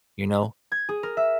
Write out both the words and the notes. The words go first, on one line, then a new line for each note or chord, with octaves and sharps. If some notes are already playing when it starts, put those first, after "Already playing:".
You know?
G#6
G#4
A#4
E5